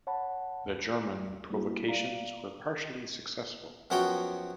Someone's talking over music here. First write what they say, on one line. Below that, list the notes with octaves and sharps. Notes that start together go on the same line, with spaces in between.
The German provocations were partially successful.
C#5 F#5 A5 B5
D#2
G3 A#3 E4 F#4
D5 F5 A#5
F#2 F3 B3 F#4 C#5 G5